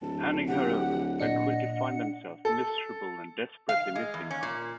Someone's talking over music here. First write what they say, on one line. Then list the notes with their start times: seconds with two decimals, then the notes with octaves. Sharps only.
Handing her over, they quickly find themselves miserable and desperately missing her.
0.02 D1 A5
0.48 G4 F#5
1.20 A#2 D4 D#5 F#5 C#7
2.45 A4
3.69 F5
3.95 G#3
4.14 E2
4.31 C#4
4.43 A#2